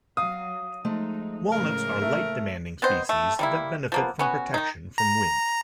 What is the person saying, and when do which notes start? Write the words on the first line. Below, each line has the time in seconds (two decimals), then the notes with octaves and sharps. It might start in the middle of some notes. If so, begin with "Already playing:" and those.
Walnuts are light-demanding species that benefit from protection from wind.
0.17 F#3 F5 D#6
0.84 F3 G#3 A3 D#4
1.52 A2 C#3 A#3 A#4
2.02 A3
2.82 B3 C4 C5 D#5
3.09 A3
3.39 G3 A#3 E4
3.92 F3 A#3 B3
4.19 B3 C#4 F#4
4.54 D#3 D#4
4.98 A#5